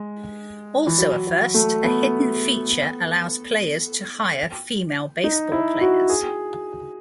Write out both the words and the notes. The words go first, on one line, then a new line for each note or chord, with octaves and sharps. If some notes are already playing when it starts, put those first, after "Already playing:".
Also a first, a hidden feature allows players to hire female baseball players.
Already playing: G#3
E3
F#3
F#3
A3
B3
D#4
E4
F#4
G#4